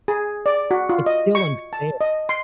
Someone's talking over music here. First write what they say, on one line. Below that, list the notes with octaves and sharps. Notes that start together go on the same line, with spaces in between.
it's still unfair,
G#4
D5
F#4
F4
D#5
C#6
A5
D#5
C6